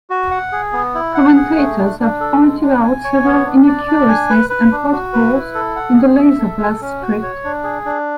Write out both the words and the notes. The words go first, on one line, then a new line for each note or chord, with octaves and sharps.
Commentators have pointed out several inaccuracies and plot-holes in the "Laserblast" script.
F#4
F#5
G#4
B3
E4
F#5
G#4
A3
D4
D4
A4
G#3
D4
G#5
C#5
B3
D4
D5
D4
G#5
B4
B4
D4
F#4
B4
E4
A4
F#5
G#4
E5
A4
A4
C#4
F#4
C#5
D4
G#4
D4